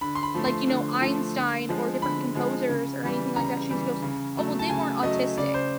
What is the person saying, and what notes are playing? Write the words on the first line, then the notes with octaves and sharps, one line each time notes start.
like, you know, Einstein or different composers or anything like that she goes, "Oh, well, they weren't autistic.
D3 B5
C6
B5
F3 A3
C6
D3
F3 A3
D3
F3 G#3
D3 B5
F3 G#3
C#3
E3 G3
C#3 A#5
E3 G3
C#3
F#3 A3
A5
C#3 G#5
F#3 A3 D#5
C#3 D5
C5